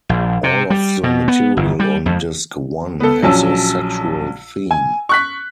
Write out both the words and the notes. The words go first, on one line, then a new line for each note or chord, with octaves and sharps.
All of the material on Disc one has a sexual theme.
A#1
C3
G3
B2
B3
G1
G3
F2
B3 A4
A#1 F#3 C#4 A5 E6
G#5
C#6 F#6 B6